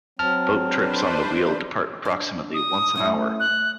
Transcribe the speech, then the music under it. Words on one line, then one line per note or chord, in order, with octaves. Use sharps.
Boat trips on the wheel depart approximately once an hour.
F#3 C4 A5 F6
D4 B4 C5
D4
D#6
A3 C#4 E4
F#6